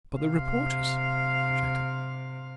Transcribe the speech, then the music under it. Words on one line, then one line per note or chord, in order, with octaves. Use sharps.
"But the reporters," I objected.
C3 F5